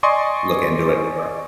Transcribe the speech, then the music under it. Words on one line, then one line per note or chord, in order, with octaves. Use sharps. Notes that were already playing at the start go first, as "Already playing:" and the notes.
look into it more.
D5 D#5 G#5 C6 C#6 D#6